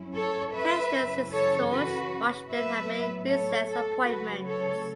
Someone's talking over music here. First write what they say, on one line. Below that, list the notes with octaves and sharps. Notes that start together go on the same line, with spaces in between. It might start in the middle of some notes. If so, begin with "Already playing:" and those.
Presidents since George Washington have made recess appointments.
Already playing: F#2 F#3 C#4 E4
A4 C#5
B4 E5
F#2 C#3 E3 C#4
A4 C#5
F#4 B4
A2 F#3 B3 B4 E5
A4 C#5
A4
C#3 F#3 A3 F#4 B4
A4 C#5